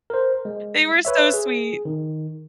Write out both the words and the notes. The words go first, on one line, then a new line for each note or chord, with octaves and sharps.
They were so sweet.
A#4 C5
G#3
B4 C#5 E5
G#4
D#3